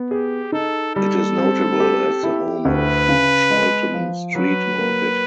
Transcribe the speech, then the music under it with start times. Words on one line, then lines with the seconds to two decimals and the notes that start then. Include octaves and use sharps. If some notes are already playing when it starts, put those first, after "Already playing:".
It is notable as the home of Chalton Street Market.
Already playing: B3
0.11 G4 G#4
0.52 D#4 A4
0.95 G3 A4
1.37 C4
1.80 G4
2.23 E4
2.65 D2 B4
3.09 C#3
3.50 G#3
3.94 F3
4.35 F#3 B4
4.78 A#3